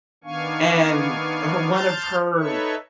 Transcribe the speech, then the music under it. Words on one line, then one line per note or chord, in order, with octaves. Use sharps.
and her one of her
D#3 B3 D4 F5 G#5 C#6
A5 C6 F6 G6 A6
D#4 A4 B4 C#5 E5 C#6